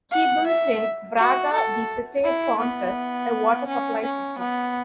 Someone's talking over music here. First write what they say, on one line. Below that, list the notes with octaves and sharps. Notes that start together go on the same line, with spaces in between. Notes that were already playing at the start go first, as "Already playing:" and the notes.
He built in Braga the Sete Fontes a water supply system.
F#5
E5
F#4
A4
E4
B3
C#4
C#4
B3